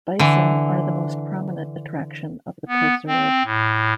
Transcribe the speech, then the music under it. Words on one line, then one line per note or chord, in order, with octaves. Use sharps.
Bison are the most prominent attraction of the preserve.
D3 E3
B3
C4
A2